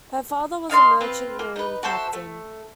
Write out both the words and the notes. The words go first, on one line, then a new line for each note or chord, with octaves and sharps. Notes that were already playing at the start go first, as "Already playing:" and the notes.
Her father was a merchant marine captain.
D#4 F5 A5 C6
C4 F4 B4
A#3
D#4 B4
F#4 A4 C5 E5
A3